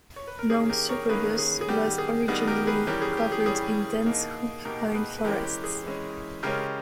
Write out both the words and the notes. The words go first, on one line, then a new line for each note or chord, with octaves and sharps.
Mount Superbus was originally covered in dense hoop pine forests.
C#5
B4
A#4
D#3 A#3 C#4 G#4
G4 A#4
A#4 C#5
D#3 A#3 C#4 G#4 B4
G#4
G#4
D#3 G3 B3 G4
G#4
D#3 G3 B3 G#4
G4 A#4
G#4 B4
E3 G3 C#4 G4 A#4
G#4
G4
G#4
G4
E3 G3 C#4 G#4
B2 A#3 D#4
B2 A#3 D#4 G4 A#4
G#4 B4
B4
E3 G#3 C#4 G4 A#4
G4
G#4
E3 G#3 C#4
C#3 G#3 C#4 G4 A#4